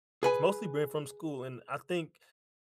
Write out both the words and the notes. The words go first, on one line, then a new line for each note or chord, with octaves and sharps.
it's mostly been from school, and I think
G#4 B4 G#5